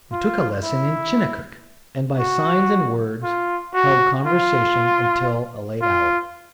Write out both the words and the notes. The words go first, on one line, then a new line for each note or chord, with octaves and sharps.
We took a lesson in Chinook, and by signs and words held conversation until a late hour.
F4
E4
F#4
F4
F#4
F4
F4